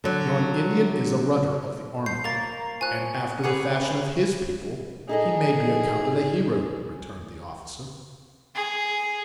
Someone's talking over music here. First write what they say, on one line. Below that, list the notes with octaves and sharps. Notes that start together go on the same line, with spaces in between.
"Yon Indian is a 'runner' of the army; and, after the fashion of his people, he may be accounted a hero," returned the officer.
D3 F#3
C5 C#5 G6 C7
A#3 C#5 A#5 B5 A6 F7
F3 G#5 C#6 E6 F#6
C#4 G4 G#4 B4 F#5
D#4 G#4 A4 D#5
G#4